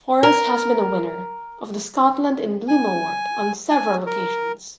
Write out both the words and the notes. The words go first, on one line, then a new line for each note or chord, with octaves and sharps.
Forres has been a winner of the Scotland in Bloom award on several occasions.
A#4
G#5
G#5
A#4